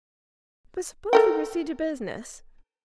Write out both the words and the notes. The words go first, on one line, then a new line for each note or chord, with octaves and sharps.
But suppose we proceed to business.
A4 A#4 G5